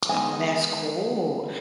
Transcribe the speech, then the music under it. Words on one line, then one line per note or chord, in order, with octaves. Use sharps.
Oh, that's cool.
G#3 B3 D#4 G#5